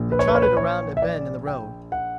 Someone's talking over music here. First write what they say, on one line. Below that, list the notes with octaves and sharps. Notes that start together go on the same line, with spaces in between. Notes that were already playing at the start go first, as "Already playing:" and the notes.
They trotted around a bend in the road.
Already playing: A#1 A#2
B4
C#5
B4
C#5
B4
C#5
E5
D5
G5
F#5